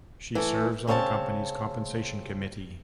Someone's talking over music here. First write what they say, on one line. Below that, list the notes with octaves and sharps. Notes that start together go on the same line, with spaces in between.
She serves on the company's compensation committee.
E3 A3
C#3 C4 C#5 D#5 A5